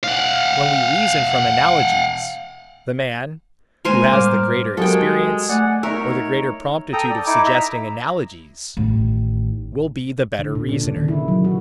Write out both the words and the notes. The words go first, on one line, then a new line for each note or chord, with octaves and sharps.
When we reason from analogies, the man, who has the greater experience or the greater promptitude of suggesting analogies, will be the better reasoner.
F5 F#5
G#3 A#3 A#4 C5 G#5
A2 G3 D6 F6
F#3 G#3 F#4 G4 A4 A#4 G5
A3 D5 F#5 G#5
D#4 A#4 C#5 E5 E6
A4 G5 A#5 D#6
D5
D#4 E4 D6
E5 A#5 E6
A1 D#3
D3
A#2
D4
C#3
D#3
E4
F#3
F#4